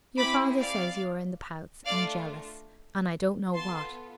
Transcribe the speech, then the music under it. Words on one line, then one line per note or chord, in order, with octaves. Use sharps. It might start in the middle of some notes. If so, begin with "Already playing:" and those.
Your father says you are in the pouts, and jealous, and I don't know what.
C4 E4 G#4 B5 D6
D5 F5
A3 D4 F4 D5 F5
B3 F4 A4 A5 C6